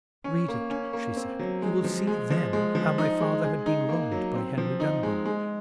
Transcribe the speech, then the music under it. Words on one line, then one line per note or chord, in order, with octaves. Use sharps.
"Read it," she said; "you will see then how my father had been wronged by Henry Dunbar."
C#4
A#3
C#4
A#3
C4
F#3
G#3
F3
G#3
F3
G#3
F3
D#4
G#3
G#4
D#4
A#3
F#3
C4
F3
D#4
G#3
G#3